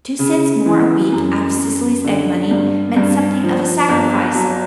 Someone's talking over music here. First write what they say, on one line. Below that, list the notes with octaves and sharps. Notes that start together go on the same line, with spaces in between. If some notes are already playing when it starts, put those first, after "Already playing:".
Two cents more a week out of Cecily's egg money, meant something of a sacrifice.
C#3
E3
F#2
F#2
D3
G2
G2
F3
G1
F#3